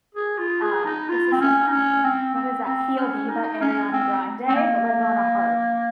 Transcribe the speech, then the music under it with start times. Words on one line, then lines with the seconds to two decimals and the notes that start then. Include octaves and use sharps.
uh, this is so funny. What is that? "POV" by Ariana Grande, but, like, on a harp.
0.15 G#4
0.38 F4
0.62 G#4
0.85 D#4
1.09 F4
1.32 C4
1.41 C#4
1.67 D#4
1.72 C#4
2.04 C4
2.35 C4
2.67 C4
2.98 C#4
3.29 D#4
3.61 C#4
3.93 C4
4.48 C4
4.55 A#3